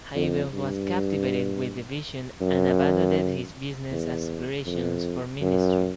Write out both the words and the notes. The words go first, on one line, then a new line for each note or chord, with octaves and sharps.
Hybels was captivated with the vision and abandoned his business aspirations for ministry.
F2
G2
F#2
E2
F2
F#2